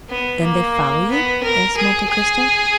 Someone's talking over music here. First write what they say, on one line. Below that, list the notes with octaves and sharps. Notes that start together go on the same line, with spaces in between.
"Then they follow you?" asked Monte Cristo.
B3
A#3
B3
A#4
G#4
G#4